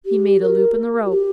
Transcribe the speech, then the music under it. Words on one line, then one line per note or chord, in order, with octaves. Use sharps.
He made a loop in the rope.
G4
A#4
F#4
G4